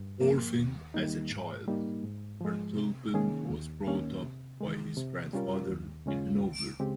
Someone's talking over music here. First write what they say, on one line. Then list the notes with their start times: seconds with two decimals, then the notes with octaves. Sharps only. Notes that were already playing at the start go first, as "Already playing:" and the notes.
Orphaned as a child, Hartleben was brought up by his grandfather in Hanover.
Already playing: G2
0.21 F3 A#3
0.58 D#2
0.94 D#3 G3 A#3 D#4
1.31 G#2
1.68 G3 A#3 D#4
2.03 G#2
2.41 F3 G#3
2.77 C3
3.14 D#3 A#3 C#4 G#4
3.50 D#2
3.87 D#3 A#3 C#4
4.23 C3
4.61 D#3 G#3
4.97 C3
5.33 G3 C#4 F4 A#4
5.69 D#2
6.06 C#3 G#3 C#4 F4
6.43 C#2
6.80 C#3 G#3 C4 G4